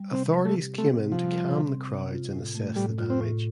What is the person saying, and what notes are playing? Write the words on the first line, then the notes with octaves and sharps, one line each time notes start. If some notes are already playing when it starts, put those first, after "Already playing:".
Authorities came in to calm the crowds and assess the damage.
Already playing: G3
C3 C4
C4
A3
G4
A3 C4
C3
F3
G3
C3
C4
C3
F4
A2
A3
A2 G3
F4
C4
A2